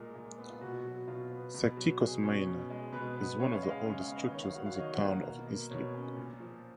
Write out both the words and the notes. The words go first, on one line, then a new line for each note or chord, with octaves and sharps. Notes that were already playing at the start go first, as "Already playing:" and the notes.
Sagtikos Manor is one of the oldest structures in the Town of Islip.
Already playing: A#2 G#3 A#4
A#2
B3
F4
B2 F#4
F#3
B2 F4
B3
B2
F#3
B2 G#4
C#4
B2
G#3
B2 B4
B3
C#3 C#5
F5
G#3
F5
C#3
F5
B3
D#5
D#3 C#5
F5
F#3 F#5
F5
C#5
D#3 D#5
F#5
A#3
F5
B2
A#3
B2 C#5
C#4
A#2
F3